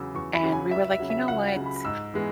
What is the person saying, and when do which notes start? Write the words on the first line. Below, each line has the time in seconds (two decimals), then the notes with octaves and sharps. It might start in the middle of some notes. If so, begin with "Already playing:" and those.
and we were like, "You know what?
Already playing: E2 C#3 F#3 E6
0.14 E2 C#6
0.35 B5
0.43 C#3 F#3
0.52 G#5
0.71 C#2 E5
0.91 E5
1.00 C#3 F#3
1.10 E5
1.28 C#2 F#5
1.48 F#5
1.56 C#3 F#3
1.66 B5
1.85 G#2 E6
2.14 E3 G#3 B3